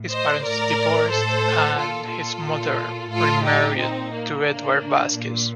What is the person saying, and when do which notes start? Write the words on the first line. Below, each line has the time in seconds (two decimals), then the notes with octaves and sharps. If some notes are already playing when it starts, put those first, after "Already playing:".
His parents divorced and his mother remarried to Edward Vasquez.
Already playing: A2
0.09 C5 D#5
0.43 A2 A#4 D5
1.10 A2 A4 C5
1.76 A#2 F4 A4
2.10 F4 A4
2.44 A#2
3.10 A2 F4 A4
3.44 D#4 G4
3.77 A#2 C4 D#4
4.12 A#3
4.44 A2 A#3 D4
5.12 A#2